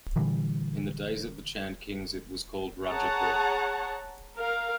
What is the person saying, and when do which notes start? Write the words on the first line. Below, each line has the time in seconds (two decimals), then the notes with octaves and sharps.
In the days of the Chand Kings it was called Rajapur.
0.16 A#2 D3 E3 G3
2.84 G#4 C#5 F#5 A5 A#5
4.38 A#4 F5